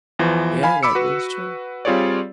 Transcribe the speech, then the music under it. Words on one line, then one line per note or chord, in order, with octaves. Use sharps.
Yeah, that is true.
E2 E3 F3
F5 G#5 B5
B5 D6 E6 C#7
F#4 B4
G3 C4 F4 G#4 C#5 D5